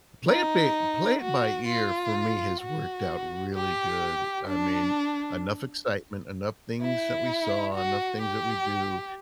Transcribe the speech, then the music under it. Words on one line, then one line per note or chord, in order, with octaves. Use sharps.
Play it bi play it by ear for me has worked out really good. I mean, enough excitement, enough things that we saw, enough things that we do,
D#4
F#4
F4
F#4
G4
D4
E4
F#4
G4